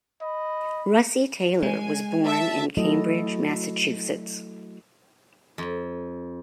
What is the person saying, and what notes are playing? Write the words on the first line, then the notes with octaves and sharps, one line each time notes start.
Russi Taylor was born in Cambridge, Massachusetts.
D#5 B5
G#3 G#5
E5 A5
F#3 A3 E4 F#4 A4 D#5
F2